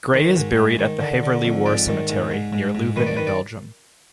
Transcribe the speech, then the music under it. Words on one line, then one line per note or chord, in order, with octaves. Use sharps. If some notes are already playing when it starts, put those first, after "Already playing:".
Gray is buried at the Heverlee War Cemetery near Leuven in Belgium.
D#3
G#2
G#2
D#3
D3
D3
F2
G#2 D5
D#3
G#2
G#2
G#2
G#2
D#3 B4
D5
D#3 B4
D5